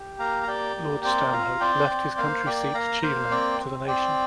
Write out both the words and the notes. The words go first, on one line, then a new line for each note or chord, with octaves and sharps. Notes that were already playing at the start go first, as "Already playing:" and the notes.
Lord Stanhope left his country seat Chevening to the nation.
Already playing: G4
A#3 F5 A#5
A#5
G4 D5 G5
A#3
C4 D5 G5
F4 F5 A#5
C4 D5 G5
C4
A#3 C5 F5
A#3 D5 G5
A#3 F5 A#5
A#3 C5 F5
C4 D5 G5
C4
C4 D5 G5